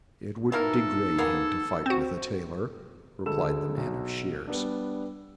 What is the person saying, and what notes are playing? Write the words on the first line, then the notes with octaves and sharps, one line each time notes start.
"It would degrade him to fight with a tailor," replied the man of shears.
E3 A#3 D#4 A4 A#4
A#3 B3 G#4
C4 F#4 C5
D2 G#3 A4 E6 E7
B1
G3 B3 D4